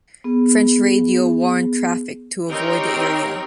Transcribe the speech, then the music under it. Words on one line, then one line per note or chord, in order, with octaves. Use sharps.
French radio warned traffic to avoid the area.
B3 G#4
C4 D#4 G4 A#4 C#5 G5